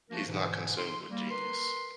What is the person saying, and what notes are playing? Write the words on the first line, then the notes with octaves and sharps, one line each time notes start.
He's not consumed with genius.
F3 A3 A#3 D4 F#4 A#4
G#2 B2 D3 E3
C6
G3 A#3
A#4 B4 C6